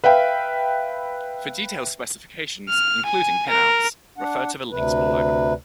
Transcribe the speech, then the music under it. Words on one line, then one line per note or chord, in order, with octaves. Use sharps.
For detailed specifications, including pinouts, refer to the links below.
B4 E5 F5 G5
F6
G#5
A#4
D4 F#5
D2 C3 B4